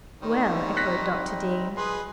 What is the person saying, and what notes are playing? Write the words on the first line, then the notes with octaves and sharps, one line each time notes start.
"Well," echoed Dr. Dean.
D#3 G3 C4 D#4 C#5
F#6 A#6 B6
G#4 B4 D#5 C6